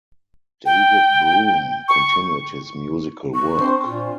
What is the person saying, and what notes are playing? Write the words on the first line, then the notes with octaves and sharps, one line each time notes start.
David Broom continued his musical work.
G5
C#6
C#6
C4 D4 C5
A#2 F4